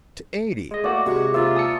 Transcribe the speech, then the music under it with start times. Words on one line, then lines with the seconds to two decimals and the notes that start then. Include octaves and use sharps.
To eighty! ...
0.71 G#3 D#5
0.84 A3 A#3 F#4 D5
1.06 C3 G#3 F#4
1.34 A#3 F4 C5 E5
1.56 A5 D#6 E6 C#7